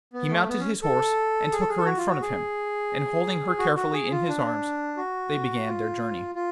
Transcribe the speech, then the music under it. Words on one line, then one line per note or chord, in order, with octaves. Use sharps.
He mounted his horse and took her in front of him, and, holding her carefully in his arms, they began their journey.
B3
A3
B3
C#4
A4
G#4
A4
G#4
A4
F#4
F4
F#4
G#4
F#4
F#4
G#4
F4
D4
F#4
F4
F4